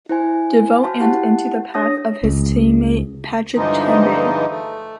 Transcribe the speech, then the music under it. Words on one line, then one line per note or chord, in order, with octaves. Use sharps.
Devote and into the path of his team-mate Patrick Tambay.
E4 C5 G#5
F#4 C5 F5 A5
E4 G4 F#5 A5
D4 C#5 D#6 A#6
C#2
G2 D3 E3 F3 G#3 D#4
A3